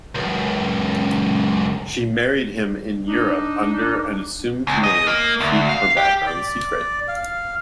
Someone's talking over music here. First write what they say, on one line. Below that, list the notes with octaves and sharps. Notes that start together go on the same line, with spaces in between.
She married him in Europe under an assumed name to keep her background secret.
C#2 F#2
D4 D#4
C#2
D#5
A#3
D2
F5
G4
D5
F5